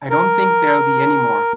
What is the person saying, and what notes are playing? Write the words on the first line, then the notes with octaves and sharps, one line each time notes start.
I don't think there'll be any more.
A#4